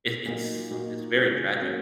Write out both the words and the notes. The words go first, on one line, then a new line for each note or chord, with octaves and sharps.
It it's it's very tragic.
A#2 F#3 A#3 D#4
A#2 A#3 D#4 F#4
C#3 G#3 C#4 F#4
F#3 A#3 C#4